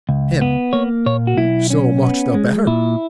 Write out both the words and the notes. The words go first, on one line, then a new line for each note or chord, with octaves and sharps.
HIM: So much the better.
C#2
B3
A#3 C#5
A#2 C#5
F#4
B1 E4
C#4
B3
G#3
A#2 E4